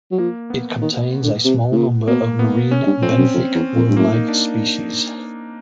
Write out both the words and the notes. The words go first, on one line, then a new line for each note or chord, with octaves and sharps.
It contains a small number of marine benthic worm-like species.
F#3
F3 A#3
B3
D#3
D3
C3
A2
A#2
B2 A#3
B3
C#4
G2
F2 C4
F#2
F2
E2
F2
G2
F#2 A#3
D#4
D4